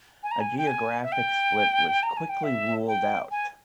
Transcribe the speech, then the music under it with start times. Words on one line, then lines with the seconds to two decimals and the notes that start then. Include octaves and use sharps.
A geographic split was quickly ruled out.
0.23 G#5
0.31 A#5
0.40 G#5
0.58 G5
0.67 G#5
1.03 E5
1.12 G5
2.03 A#5
2.17 G#5
2.29 G5
2.43 E5
2.87 G5
3.31 G#5